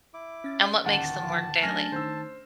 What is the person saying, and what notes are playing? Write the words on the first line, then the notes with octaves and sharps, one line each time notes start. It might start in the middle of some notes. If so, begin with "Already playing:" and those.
and what makes them work daily?
E4 D6
C#4 A6
D1 D#2 F#5 A5
F3 G#5
F#3 A3 C#4 D4 G#5 F6 A#6
D#3 C5 E6